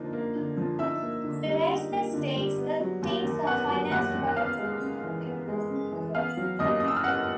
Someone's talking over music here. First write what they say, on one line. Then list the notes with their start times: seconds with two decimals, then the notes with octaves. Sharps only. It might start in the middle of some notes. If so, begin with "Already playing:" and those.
To raise the stakes, the Tings are financed by international criminal syndicates.
Already playing: D3 F3 A#3 D#4
0.13 A#3
0.35 D3
0.57 F3
0.79 D#4 E5 E6
1.02 A#3
1.24 D3
1.46 G3
1.68 D#4
1.91 A#3
2.13 D3
2.36 G3
2.58 B3
2.80 F#3
3.02 D#2
3.24 D#3
3.47 B3 F#5 F#6
3.70 F#3
3.91 D#2 F#5 F#6
4.15 D#3
4.28 F#6
4.36 B3 F5 F6
4.59 G#3
4.80 C#3
5.03 E3
5.26 B3
5.48 G#3
5.70 C#3
5.92 E3
6.14 B3 F5 F6
6.37 F#3
6.59 D#2 D#5 D#6
6.80 C#3 D#6
6.88 E6
6.96 F6
7.04 B3 F#5 F#6